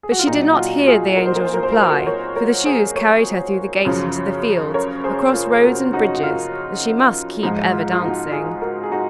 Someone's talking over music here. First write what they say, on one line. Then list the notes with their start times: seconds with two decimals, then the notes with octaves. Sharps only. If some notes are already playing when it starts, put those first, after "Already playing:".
But she did not hear the angel's reply, for the shoes carried her through the gate into the fields, across roads and bridges, and she must keep ever dancing.
0.03 G#4
0.12 F#4
0.19 F4
0.27 A#2 F#3 D#4
0.53 F#4
0.58 F4
0.87 F4 G#4
1.17 A#4
1.26 C5
1.35 A#4
1.45 C5
1.53 A#4
1.63 C5
1.72 A#4
1.81 C5
1.90 F#4 A#4
2.06 A#4 C#5
2.36 A#4 C#5
2.65 G#4 C5
2.96 A#4 C#5
3.85 F#2 C#3 F3
4.74 A#4 C#5
5.04 G#4 C5
5.34 F4 G#4
5.55 G#4
5.64 F#4 A#4
5.93 D#4 F#4
6.14 F#4
6.23 F4
7.43 G#2 F3 G#3 D#4
7.73 F4
7.92 F4
8.02 D#4 F#4
8.32 F4 G#4
8.61 F#4 A#4
8.84 G#4
8.92 D#4 F#4